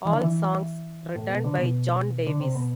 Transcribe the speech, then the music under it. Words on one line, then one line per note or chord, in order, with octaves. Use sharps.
All songs written by John Davis.
E3
D3
E3
A2
B2
D3
B2
D3
C3
B2